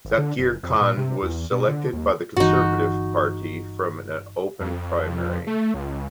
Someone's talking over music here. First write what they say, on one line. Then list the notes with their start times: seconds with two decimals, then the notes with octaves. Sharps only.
Zakir Khan was selected by the Conservative Party from an open primary.
0.05 G#1
0.18 D3
0.38 F#1
0.63 F2
0.81 A#2
0.97 C3
1.22 E2
1.52 B2
1.68 D3
1.93 D#2
2.37 G1 E3 D#4 F#4
4.60 F2
5.47 A3
5.74 C#2